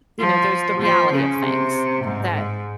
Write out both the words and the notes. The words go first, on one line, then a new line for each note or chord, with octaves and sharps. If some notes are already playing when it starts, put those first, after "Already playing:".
you know, there's the reality of things that,
F3
F3
C#3
C3
G#2
G#2